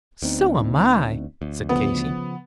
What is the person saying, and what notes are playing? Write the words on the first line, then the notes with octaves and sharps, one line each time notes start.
"So am I," said Katy.
D2 B3 C4 D#4
D2
C#3 F3 B3 D#6